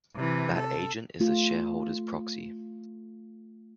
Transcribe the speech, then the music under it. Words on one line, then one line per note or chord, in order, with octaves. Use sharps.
That agent is the shareholder's proxy.
C3 E3
A4
A3 F4